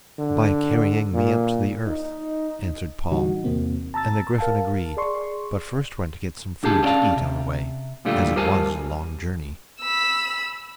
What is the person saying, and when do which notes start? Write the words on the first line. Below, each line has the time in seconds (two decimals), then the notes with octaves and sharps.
'By carrying me up to the earth,' answered Paul; and the griffin agreed, but first went to get some food to eat on the way, as it was a long journey.
0.19 D3
1.13 A#2
1.88 D#4
3.11 A2 D3 E3 G3 D#4 F#4
3.44 E2 A2 C3 A#3 C4
3.94 A5 A#5 E6 A6
4.38 A#4 F5 A5
4.97 G#4 D5 C6 C#6
6.63 C#2 D4 G4 G#4 A5
6.83 B3 C#4 D5 F5 A5
7.16 C3
8.05 A#2 D3 G3 A3 F4
8.36 G2 G4 A#4 C5 G#5 A5
9.80 B5 E6